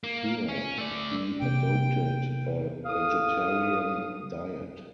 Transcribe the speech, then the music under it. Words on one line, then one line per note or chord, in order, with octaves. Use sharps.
Here, he adopted a vegetarian diet.
A#3
C#4
A3 D5
C3 A#3 G5
A2 F5 D#6